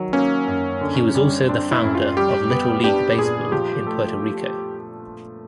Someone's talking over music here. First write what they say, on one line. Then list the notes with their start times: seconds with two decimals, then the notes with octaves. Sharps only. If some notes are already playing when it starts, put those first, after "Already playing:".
He was also the founder of little league baseball in Puerto Rico.
Already playing: D#3 F#3
0.13 A#3 C#4
0.48 F#2
0.81 D3
1.15 G3
1.49 C4 D4
1.71 E4
1.83 F#2
1.95 F4
2.17 G3 G4
2.50 B3
2.84 D4 G4
3.18 A#2 G#4
3.52 F3 G4
3.86 A3